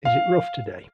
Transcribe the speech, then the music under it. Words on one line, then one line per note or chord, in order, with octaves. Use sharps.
Is it rough today?
F5